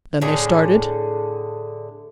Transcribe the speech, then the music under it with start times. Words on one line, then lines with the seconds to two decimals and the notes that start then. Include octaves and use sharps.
"Then they started?"
0.21 A2 D3 G#4 A4